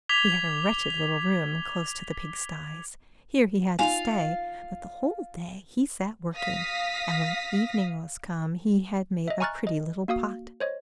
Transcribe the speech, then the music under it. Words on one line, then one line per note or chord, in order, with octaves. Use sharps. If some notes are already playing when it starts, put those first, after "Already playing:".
He had a wretched little room close to the pigsties; here he had to stay, but the whole day he sat working, and when evening was come he had made a pretty little pot.
D6 G#6 B6 F7 G7
D#4 F4 F5 G#5
F5 D#6 A#6 B6
D#5 E5
G#5 A#5 C#6 F6 F#6 A6
D#5
A#3 F#4 F5 D#6
C5 C#5 D#5